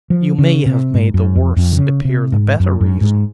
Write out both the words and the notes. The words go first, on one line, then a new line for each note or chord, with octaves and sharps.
'You may have made the worse appear the better reason.'
F3
C#3
C3
G#2
F#2
F2
F2
D#3
C#3
C3
G#2
F#2
F#2
G#2